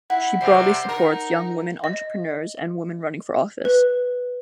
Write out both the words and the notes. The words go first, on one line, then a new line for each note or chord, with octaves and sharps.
She broadly supports young women entrepreneurs and women running for office.
E4 F#5
C3 G3 C5
D#4 A#4
D#5
B4